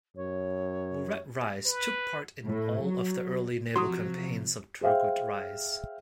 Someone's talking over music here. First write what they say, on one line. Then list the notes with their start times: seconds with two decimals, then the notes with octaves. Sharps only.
Murat Reis took part in all of the early naval campaigns of Turgut Reis.
0.16 F#2 C#5
1.66 B4
2.44 A2
2.83 F#3
3.76 C3 F3 F#3 C6 D#6
4.81 G#4 C5 E5 F5 G5